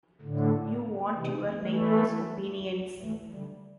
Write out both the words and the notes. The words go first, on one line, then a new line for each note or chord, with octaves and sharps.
You want your neighbours' opinions.
A2 D3
C3 E3
E3 A3
E3 A3
D3 G3